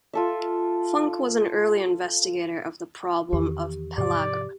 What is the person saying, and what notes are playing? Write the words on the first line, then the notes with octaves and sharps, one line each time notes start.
Funk was an early investigator of the problem of pellagra.
F4 A4 E5
E2 D#3 G4
G#2 C3 F3 G4 D5